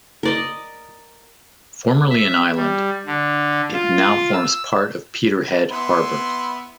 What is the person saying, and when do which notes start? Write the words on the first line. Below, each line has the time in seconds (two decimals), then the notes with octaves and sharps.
Formerly an island, it now forms part of Peterhead Harbour.
0.23 A#4 D5 D#5
2.10 E5
2.56 G3
3.06 D3
3.73 F4
4.33 E6
5.71 B3 E4 C6